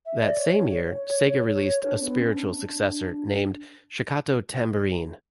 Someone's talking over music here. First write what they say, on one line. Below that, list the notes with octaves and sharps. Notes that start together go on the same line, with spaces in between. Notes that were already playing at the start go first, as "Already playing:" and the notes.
That same year, Sega released a spiritual successor named "Shakatto Tambourine".
E5
D5
C#5
C#5
C#5
C#5
D4
B3
C#4
D4